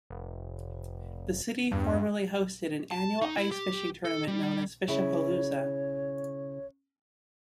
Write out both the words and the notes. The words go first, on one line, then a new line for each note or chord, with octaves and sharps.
The city formerly hosted an annual ice fishing tournament known as Fishapalooza.
F1
E2 G2
A5
D#4
E4
G4
A4
G3
C#3 E4 C#5